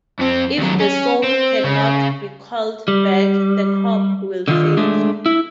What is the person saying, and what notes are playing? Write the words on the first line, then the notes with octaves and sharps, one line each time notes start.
If the soul cannot be called back, the crop will fail.
F2 C4
D#2 F#3
C#4
C4
C#3
G3
D3 D#3 F4
G#3 A3 D4
E4